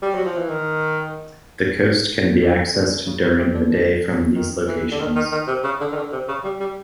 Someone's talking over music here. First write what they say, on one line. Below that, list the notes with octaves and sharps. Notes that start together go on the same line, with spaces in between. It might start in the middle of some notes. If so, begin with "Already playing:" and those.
The coast can be accessed during the day from these locations.
G3
F#3
F3
E3
D#3
D3
D3
C#3
C#3
C3
D3
D3
D#3
E3
D3
D#3
D#3
D#3
C3
C#3
D3
D#3
D3
C3
C#3
G3
G3